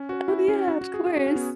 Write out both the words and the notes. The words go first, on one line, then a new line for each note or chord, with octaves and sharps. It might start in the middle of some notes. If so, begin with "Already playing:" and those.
Oh, yeah, of course.
Already playing: C#4
F#4
E4
C#4
F#4
F#4
G#4
G#4
F#4
C#4
B3